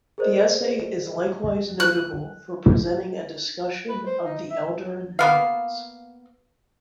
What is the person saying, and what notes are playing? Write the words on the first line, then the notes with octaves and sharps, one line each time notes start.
The essay is likewise notable for presenting a discussion of the Eldarin numerals.
G#4 A#4 C5 D5 D#5
F#6
B4
C5
D#4
E5
A#3 B3 F5